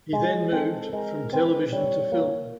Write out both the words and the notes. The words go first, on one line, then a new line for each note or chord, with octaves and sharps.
He then moved from television to film.
G#3 G#4
C4 A4
G#3 A#4
C4 B4
G3 C#5
A#3